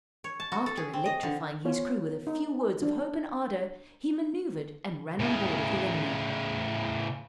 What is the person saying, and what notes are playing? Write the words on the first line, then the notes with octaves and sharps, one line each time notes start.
After electrifying his crew with a few words of hope and ardor, he manoeuvred and ran on board of the enemy.
C#5
A5
F#4
A4
G#4
C4
D#5
D3
B3 F4 C#5
D#4
D4
A2 C#3